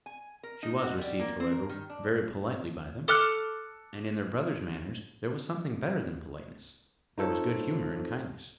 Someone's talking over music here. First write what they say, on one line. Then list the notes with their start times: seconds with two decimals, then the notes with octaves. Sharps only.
She was received, however, very politely by them; and in their brother's manners there was something better than politeness; there was good humour and kindness.
0.06 G#5
0.43 A#4
0.63 D#4
0.84 F#4
0.98 G3
1.19 A#3
1.40 C4
1.51 A#4
1.69 D#3
1.90 D4
3.08 A4 D6 F6 F#6
7.18 D#4 F4 A4 C5 C#5